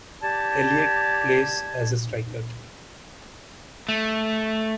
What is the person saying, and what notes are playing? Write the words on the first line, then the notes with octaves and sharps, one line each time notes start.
Elliott plays as a striker.
G4 D5 A5 G#6
A3